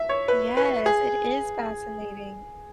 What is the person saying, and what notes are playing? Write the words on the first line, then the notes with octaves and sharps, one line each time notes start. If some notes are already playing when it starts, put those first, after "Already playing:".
Yes, it is fascinating.
Already playing: E5
C#5
B4
B4
G#4